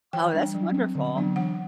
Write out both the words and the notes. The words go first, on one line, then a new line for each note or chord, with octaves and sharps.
Oh, that's wonderful.
E3 G5
G3 D4
F#3
C4
D3
F#3 B3 D4
E3 F#5